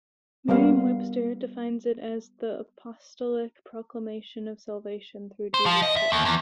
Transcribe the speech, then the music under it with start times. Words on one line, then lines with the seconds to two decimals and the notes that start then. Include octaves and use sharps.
Merriam-Webster defines it as "the apostolic proclamation of salvation through Jesus Christ".
0.49 G3 A#3 B3 F5
5.54 C5
5.66 F3
5.82 D#5
5.97 E5
6.12 D#2
6.25 E2